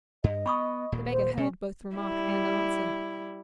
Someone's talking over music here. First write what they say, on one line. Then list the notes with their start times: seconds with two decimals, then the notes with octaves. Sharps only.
The beggar heard both remark and answer.
0.24 G2 D#5
0.46 B3 B5 C#6 D#6
0.92 D#1 A#2
1.12 C5
1.37 B2 C#4
1.96 G3 E4